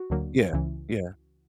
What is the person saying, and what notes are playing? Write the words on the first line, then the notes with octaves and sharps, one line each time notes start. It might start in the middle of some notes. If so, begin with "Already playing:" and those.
Yeah. Yeah.
Already playing: F#4
D2 D3 F#3 A#3
C#2 C#3 E3